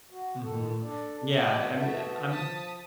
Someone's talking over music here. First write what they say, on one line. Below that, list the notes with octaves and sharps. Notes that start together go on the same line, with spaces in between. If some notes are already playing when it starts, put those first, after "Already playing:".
Mhm. Yeah, um, yeah, um
F#4
D#3 A4
D4 A4 D5
G#3 F#4 B4 D5 D#5
A3 B3 F#4 E5
F3 A5 D#6 B6